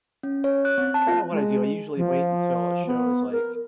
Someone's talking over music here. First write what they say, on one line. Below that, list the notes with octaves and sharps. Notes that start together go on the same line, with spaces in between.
kinda what I do, I usually wait until a show is, like,
C#4
C#5
F#6
C4
A5
F4
G#3
F3
B3
A#4